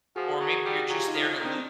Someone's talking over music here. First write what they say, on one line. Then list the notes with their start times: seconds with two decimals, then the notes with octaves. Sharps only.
or maybe you're just there to loot,
0.16 F3 F#4 G#4
0.40 F#3
0.65 G3
0.89 F#3 F4 G4
1.08 D#4 F4
1.14 F3
1.39 D#3
1.45 C4 D4